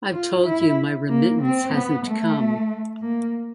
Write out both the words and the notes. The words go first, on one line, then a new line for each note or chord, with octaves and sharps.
I've told you my remittance hasn't come.
F4
E4
A#3
C4
B3
A3
A#3